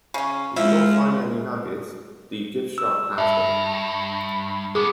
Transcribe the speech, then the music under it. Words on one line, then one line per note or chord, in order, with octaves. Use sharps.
If you don't find any nuggets, the gift shop has them.
C#3 C#4
F3 G#3 E4
E6
G2 E5 A5
G#3 B3 G#4 D6